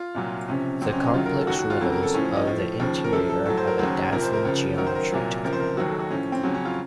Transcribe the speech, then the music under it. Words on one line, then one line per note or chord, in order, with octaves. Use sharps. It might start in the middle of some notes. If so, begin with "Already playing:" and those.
The complex rhythms of the interior have a dazzling geometry to them.
Already playing: F4
C2 A#2 F#3
C#2 C3 F3 C#4
C#2 C3 F#3 C4
C#4
D#4
F#2 D#3 F#3 F4
A#4
A4
D#2 D#3 F#3 F#4
F#4
F4
F2 C#3 F#3 A4
A#4
A4
A2 F3 C#4
C#4
D#4
A2 F3
D#2 C#3 F3
A#4
F#2 F3 A4
A4
A2 F#3 A4
C5
A#4
D#2 C#3 F#3 C5
F2 C3 F3 A#4
C5
A#4
C#2 C#3 F3
F#2 D#3 F#3 A#4
C5
A#4
C2 A#2 F#3
C#2 C3 F3 A#4
C5
A#4
D#2 D#3 F#3 F#4
A4
F#4
A2 F3 C#4
C4
F2 C#3 F#3 C#4
C#4
F4